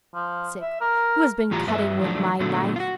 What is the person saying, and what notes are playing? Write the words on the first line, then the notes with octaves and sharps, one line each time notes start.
The sixth, "Who has been cutting with my knife?"
F3
E5
A#4
A2 E3 F4 G4 A#5
G2 B4 E5
D#3 F3 F#3 A3 D4
A#2 D3 F#3 A3 B3
F4 F#4